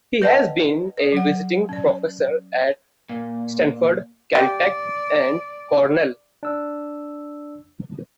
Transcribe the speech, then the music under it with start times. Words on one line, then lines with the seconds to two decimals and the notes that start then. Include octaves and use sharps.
He has been a visiting professor at Stanford, Caltech, and Cornell.
0.22 B4 D5 D#5 F#5 G5 A5
0.97 G#4 D5
1.12 F#3 F#5
1.69 C#4 D5
3.09 A#2 A#3
4.35 G4 D5
6.43 D4 E6